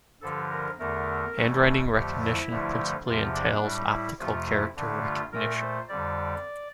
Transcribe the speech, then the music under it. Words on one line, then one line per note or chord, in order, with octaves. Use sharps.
Handwriting recognition principally entails optical character recognition.
G2 D3 F3 A4
A#4
E2 D3 A3 A#4
G2 E3 A3
F2 D3 F3 A3 G4
E4
G2 D3 F3 A3
E2 C3 F3 F4
D4
A2 G3
E4
F2 C3 F3 A3 F4
E4
G2 D3 A3
F4
A#2 A3 A#4
C5
F2 D3 G3 D5